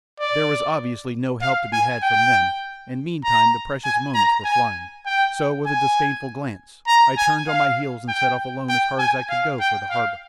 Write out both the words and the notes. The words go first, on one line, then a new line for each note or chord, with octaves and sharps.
There was obviously no help to be had from them, and meantime the precious moments were flying, so with a disdainful glance I turned on my heels and set off alone as hard as I could go for the harbour.
D5
F5
G#5
G5
A#5
G#5
A#5
G#5
G5
G#5
A#5
G#5
F5
G5
G5
G#5
F5
G5
F5